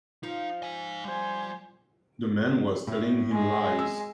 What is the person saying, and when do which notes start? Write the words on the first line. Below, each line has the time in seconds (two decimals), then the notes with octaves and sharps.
The man was telling him lies.
0.23 F3 D#4
0.63 D#4 G#5
1.05 G3 C5 G#5
2.87 A2
3.32 G#3
3.79 E6